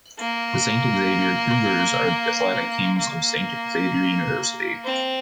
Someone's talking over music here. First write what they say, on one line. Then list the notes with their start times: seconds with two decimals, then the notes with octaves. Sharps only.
The Saint Xavier Cougars are the athletic teams of Saint Xavier University.
0.20 A#3
2.98 A#3
4.85 C4